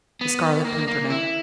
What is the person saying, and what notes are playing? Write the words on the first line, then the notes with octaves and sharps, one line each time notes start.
The Scarlet Pimpernel.
B3
A#3
A#3
E4